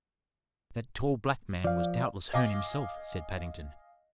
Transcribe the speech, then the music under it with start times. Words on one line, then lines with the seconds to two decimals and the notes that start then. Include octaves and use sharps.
"That tall black man was doubtless Herne himself." said Paddington.
1.64 F3 D5 F5
2.33 D#5 F5 G#5 D6 A#6